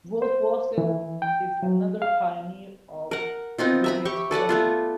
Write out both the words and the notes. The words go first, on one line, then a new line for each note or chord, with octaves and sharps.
Wolf Vostell is another pioneer of video installation.
C5
E3
G5
F#3
F5
A#4 F#5
B3 C4 D#4 F4
E5 A#5 B5
G4 C#6
A4 B4 D5 F#5
A3 B3 F4